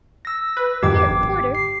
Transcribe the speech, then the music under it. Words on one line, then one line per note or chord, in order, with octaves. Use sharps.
Here, porter!
E6 A#6
B4
F2 G#2 D#3 G4 D6
G1
C7